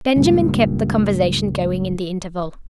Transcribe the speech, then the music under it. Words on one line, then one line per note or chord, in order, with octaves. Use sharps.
Benjamin kept the conversation going in the interval.
C#2 G2 A#2